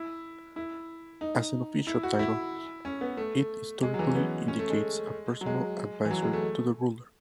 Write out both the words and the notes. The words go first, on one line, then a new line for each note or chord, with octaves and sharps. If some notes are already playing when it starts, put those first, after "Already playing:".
As an official title, it historically indicates a personal advisor to the ruler.
Already playing: E4
E4
D#4
E4
F#4
E4
C#4
B3
A3
G#3
F#3
E3
C#4
B3
C#4
A3
G#3
F#3
G#3
E3
F#3
G#3
A3